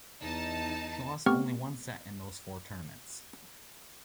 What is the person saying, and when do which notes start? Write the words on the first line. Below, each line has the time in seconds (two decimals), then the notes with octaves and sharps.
She lost only one set in those four tournaments.
0.22 E2 D#4 A5
1.26 A3 B3 C4 G4 C#6 F6